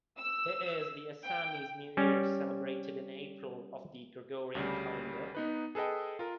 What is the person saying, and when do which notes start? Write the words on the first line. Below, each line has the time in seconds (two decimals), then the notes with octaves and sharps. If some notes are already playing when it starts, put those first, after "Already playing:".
It is the Assamese new year celebrated in April of the Gregorian calendar.
0.17 E6
1.24 G5
1.97 G3 C#4
4.55 D2 C#3 G3
5.35 B3 D#4 B4
5.75 G#4 A4 B4 D#5 G5
6.19 F4 A#4